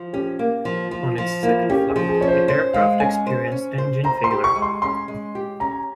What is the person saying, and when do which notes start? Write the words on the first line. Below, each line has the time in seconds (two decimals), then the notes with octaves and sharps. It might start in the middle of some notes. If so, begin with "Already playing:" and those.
On its second flight, the aircraft experienced engine failure.
Already playing: F3
0.13 C#4 G4
0.39 A#3
0.65 F3
0.91 F3 F4
1.18 F3
1.43 A#3 E4
1.70 C#4 G4
1.89 G#4
1.96 F3
2.08 G#4
2.21 C#4 C#5
2.28 C5
2.48 C5 C#5
2.73 G#3 F5
3.00 C#4 G#5
3.27 C5
3.52 C#4
3.78 C5
4.04 C5 A#5
4.24 C6
4.31 G4
4.44 C#6
4.56 G#3
4.62 C6
4.82 C#4 C6
5.08 G#3
5.35 G4
5.60 C#4 A#5